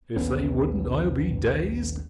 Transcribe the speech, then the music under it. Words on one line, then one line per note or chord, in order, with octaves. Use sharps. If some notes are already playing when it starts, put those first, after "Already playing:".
If they wouldn't I'll be dazed!
A#1 D#2 B3 C#4